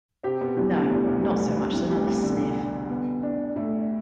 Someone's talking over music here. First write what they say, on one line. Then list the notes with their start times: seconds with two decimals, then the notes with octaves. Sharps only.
No, not so much as another sniff.
0.23 C3 C4 G4
0.41 B2 B3
0.57 E2 E3 G4
0.74 D2 D3
0.90 E2 E3 G3
1.07 C2 C3
1.23 A2 G3
1.40 B2
1.57 C2 C3 G3
1.73 E2 E3
1.90 D2 D3 G4
2.06 C2 C3
2.23 B2 D3
2.56 D3
2.90 B3
3.23 D4
3.55 A2 A3 D4